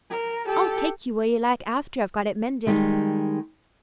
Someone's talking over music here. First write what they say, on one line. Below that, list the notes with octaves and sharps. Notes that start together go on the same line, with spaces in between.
I'll take you where you like after I've got it mended.
A#4
G4 A4
D#3 G3 G#3